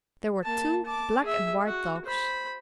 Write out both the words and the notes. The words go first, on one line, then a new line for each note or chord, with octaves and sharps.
There were two black and white dogs.
A#3 A5
A5 D6
G#4 E5
F#4
C5 B5